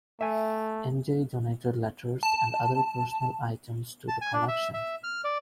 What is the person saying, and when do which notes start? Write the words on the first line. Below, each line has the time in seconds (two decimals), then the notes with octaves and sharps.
Ende donated letters and other personal items to the collection.
0.21 A3 E5 G#5
2.23 A5
4.08 A5
4.21 G#5
4.33 D4
4.48 E5
4.74 E5
5.04 F6
5.24 D5